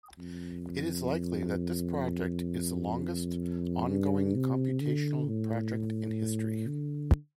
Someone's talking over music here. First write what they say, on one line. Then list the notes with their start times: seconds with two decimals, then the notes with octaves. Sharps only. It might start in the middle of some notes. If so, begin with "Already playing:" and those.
It is likely that this project is the longest, ongoing computational project in history.
0.18 F2
3.89 G2
4.35 C3
4.82 D3
5.28 A2
6.67 D3